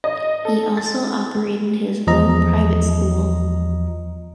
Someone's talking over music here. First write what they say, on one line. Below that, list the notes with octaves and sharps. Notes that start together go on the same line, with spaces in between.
He also operated his own private school.
D#5
A4
A6
E2 F3 D#5 A#5